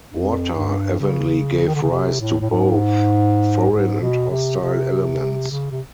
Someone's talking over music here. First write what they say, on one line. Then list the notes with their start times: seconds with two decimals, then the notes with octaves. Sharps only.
Water evenly gave rise to both foreign and hostile elements.
0.10 F2
0.54 G2
1.00 C#3
1.67 D#3
1.74 D3
1.83 C#3
1.90 C3
2.20 A2
2.41 A2
2.51 G#2
3.71 G#2
4.01 B2
4.31 C3
4.61 C3
5.51 C#3
5.71 C3